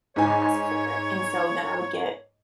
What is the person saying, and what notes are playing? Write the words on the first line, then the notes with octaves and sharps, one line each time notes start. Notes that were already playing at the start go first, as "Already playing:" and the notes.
ask for it, and so then I would get
G#2 C#5 G#5